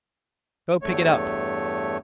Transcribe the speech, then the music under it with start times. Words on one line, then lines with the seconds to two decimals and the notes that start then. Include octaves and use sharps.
Go pick it up!
0.82 E2 G2 A3 C#5